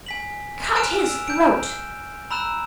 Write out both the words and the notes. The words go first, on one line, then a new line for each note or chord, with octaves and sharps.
"Cut his throat."
G#5 B6 F#7
G#5 F6 F#6 D7 E7 F7
E6
G6 D7
A#5 B5 E6 F#6 E7